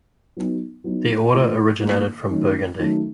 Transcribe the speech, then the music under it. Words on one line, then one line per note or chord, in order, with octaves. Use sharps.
The order originated from Burgundy.
F#3 B3 D#4
F#3 B3 D#4
A2 F3 A#3 D4
A2 F3 A#3 D4
D#3 F#3 A3 C#4
D#3 F#3 A3 C#4